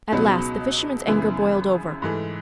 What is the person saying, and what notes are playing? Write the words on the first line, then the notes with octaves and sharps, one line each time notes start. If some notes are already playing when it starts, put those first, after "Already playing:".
At last the fisherman's anger boiled over.
C#2 B2 F#3 B3 D#4
F#2 C#3 E3 B3 E4
G#2 E3 A3